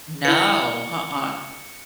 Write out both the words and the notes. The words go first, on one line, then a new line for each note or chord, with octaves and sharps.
No, nuh-uh.
E4 B4 C#7